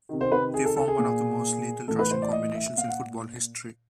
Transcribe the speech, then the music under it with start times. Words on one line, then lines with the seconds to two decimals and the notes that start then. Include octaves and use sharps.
They formed one of the most lethal rushing combinations in football history.
0.09 C3 D#3
0.21 C5
0.32 B4
0.54 G#4
0.65 A4
0.76 A4
0.88 G#4
0.98 A#2
1.88 A2 E3 A4
1.99 B4
2.11 C5
2.22 D5
2.32 D#5
2.55 E5
2.77 A#2 F5
2.89 F#5